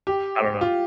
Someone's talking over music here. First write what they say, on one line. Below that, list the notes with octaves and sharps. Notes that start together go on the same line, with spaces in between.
I don't know.
G4
F4